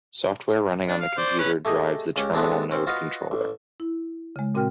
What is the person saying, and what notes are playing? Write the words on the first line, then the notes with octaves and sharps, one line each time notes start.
Software running on the computer drives the terminal node controller.
D4
F5
C5 D5
C#4 B4
A3 G4 G#4 D#5 G#5
C#2 C#4 G4
G#3 A3 B3 C4 D4 G#4
C4 C#4
F4 F#4 B4 D#5 F5
A1
E4
C#3 G#3
A#2 C4 F#4 A#4 G5 F6